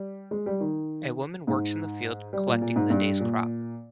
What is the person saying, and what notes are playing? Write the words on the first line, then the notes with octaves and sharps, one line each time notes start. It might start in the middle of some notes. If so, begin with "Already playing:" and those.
A woman works in the field collecting the day 's crop.
Already playing: G3
G#3
G3
D#3
G#2
G3
A#2
A#2
G#2
G2
A#2